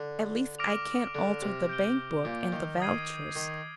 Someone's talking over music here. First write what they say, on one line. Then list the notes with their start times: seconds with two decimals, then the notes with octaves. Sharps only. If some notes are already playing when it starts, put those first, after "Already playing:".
At least I can't alter the bank-book and the vouchers.
Already playing: D3
0.59 D6 F6 A#6 D7 F7
1.15 D3
1.42 C3
1.69 G6 D7 G7
2.25 A#2
2.52 D#3
2.80 D#6 G#6 C7 D#7
3.36 D#3